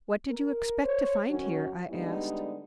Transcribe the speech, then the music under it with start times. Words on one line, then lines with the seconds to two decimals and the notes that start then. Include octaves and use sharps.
"What did you expect to find here?" I asked.
0.31 A#4
0.83 C5 C#5
1.29 D#3 F#3 C#4 F#4
1.90 D3 G3 G#3 B3 D4 D#4